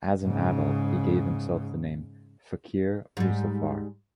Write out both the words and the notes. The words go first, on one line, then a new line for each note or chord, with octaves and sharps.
As an adult he gave himself the name "Fakir Musafar".
G#2 C#3
G#2 G3